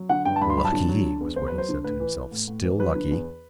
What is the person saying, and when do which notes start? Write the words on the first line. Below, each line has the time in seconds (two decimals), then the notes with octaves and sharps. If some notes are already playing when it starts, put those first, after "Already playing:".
"Lucky!" was what he said to himself, "still lucky!"
Already playing: F#3
0.09 D3 F#5
0.25 G2 G5
0.36 A5
0.41 G2 B5
0.50 C6
0.57 F#3 B5
0.65 A5
0.73 D3
0.89 F#3
1.05 D3
1.20 E2
1.36 E2 C5
1.47 F#3 B4
1.58 C5
1.69 D3
1.84 A2 B4
2.00 E3
2.15 E3
2.31 A2
2.48 A2
2.63 E3
2.79 F#3 B4
2.95 D3
3.11 E2